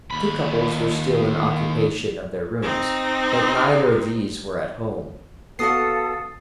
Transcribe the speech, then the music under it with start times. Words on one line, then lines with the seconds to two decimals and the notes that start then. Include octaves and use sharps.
Two couples were still in occupation of their rooms, but neither of these were at home.
0.11 D#2 B5
2.62 C4 D#4
5.59 B3 F#4 A4 F5 F#5 D#6 C7